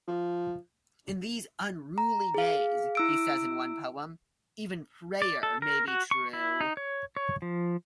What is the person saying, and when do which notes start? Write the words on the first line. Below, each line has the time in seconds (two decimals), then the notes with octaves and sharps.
'In these unruly days,' he says in one poem, 'even prayer may be true.
0.08 F3
1.98 A#5
2.34 G#4 F5
2.95 E4 E6 D7
5.22 D5
5.43 A4
5.62 A#4
5.88 F#4
6.11 C#6
6.33 E4
6.61 D#4
6.77 C#5
7.17 C#5
7.42 F3